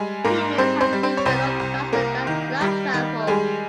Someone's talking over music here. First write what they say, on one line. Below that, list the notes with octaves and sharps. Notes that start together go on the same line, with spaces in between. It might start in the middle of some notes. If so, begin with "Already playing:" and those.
Humans have developed faster-than-light travel.
Already playing: G3 G#3 G#4
G#2 A#3 A#4
G3 C4 C5
C4 C5
G3
C4 C5
C#5
C2 C4 C5
C2
C2 A#3 A#4
D#3
G3
D#3
G3 G#3 G#4